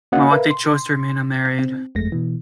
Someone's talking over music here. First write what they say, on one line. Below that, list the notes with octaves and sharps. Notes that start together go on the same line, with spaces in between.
Mayawati chose to remain unmarried.
A#3 C#4 F#4 D#5 F5 F#5
A#4 B4 E5 F5
C6
C4
G1 F2 G#3 A3 A#6
B2 E3